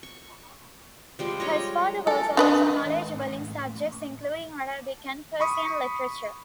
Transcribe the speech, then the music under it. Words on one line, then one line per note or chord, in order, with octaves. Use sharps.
His father also was knowledgeable in subjects including Arabic and Persian literature.
C#6
F3 G3 G#3
C#5 D#5 A#5
A4 A#4 G#5
D4 B4 D#5
B5 C#6 D#6